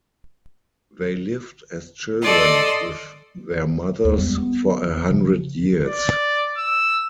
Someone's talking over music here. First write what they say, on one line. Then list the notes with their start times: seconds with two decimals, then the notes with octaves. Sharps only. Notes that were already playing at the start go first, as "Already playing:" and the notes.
They lived as children with their mothers for a hundred years.
2.22 A4 D5 D#5 C6
4.05 D#2
4.18 F2 G3 G#3 B3
4.38 B3
5.10 C#3 F3
5.87 D5
6.58 E6